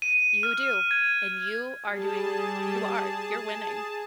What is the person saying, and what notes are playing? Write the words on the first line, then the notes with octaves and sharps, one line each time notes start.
You do, and you are doing You are. You're winning.
D#7
F6
G#6
G3 G#4 A5